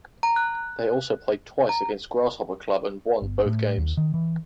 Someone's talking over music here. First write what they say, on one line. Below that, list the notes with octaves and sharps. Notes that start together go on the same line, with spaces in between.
They also played twice against Grasshopper Club and won both games.
A#5
F#6
A#5
G1
A2
D#2
D#3
E3